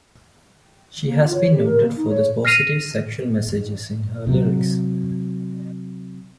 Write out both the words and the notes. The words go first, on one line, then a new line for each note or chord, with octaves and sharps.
She has been noted for the positive sexual messages in her lyrics.
A#3
F4
C#5
G4
A#4
A#3
D#4
C#5
F6 A#6 C7 D#7 F7
C3 F#3